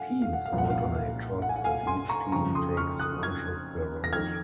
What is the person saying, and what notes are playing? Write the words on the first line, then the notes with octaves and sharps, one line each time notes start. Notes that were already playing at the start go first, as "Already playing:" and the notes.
Teams alternate shots and each team takes one shot per round.
Already playing: F5 F#5 G#5
F5
F#5
F5
C2 A#2 F3
F#5
F5
F#5
F5
F#5
G#5
F#5
F5 G#5
G#5 C6
A#5 C#6
F2 C#3 F3 A#5 C#6
C6 D#6
C#6 F6
D#6 F#6
F6 G#6
A#6
F2 D#3 F6 G#6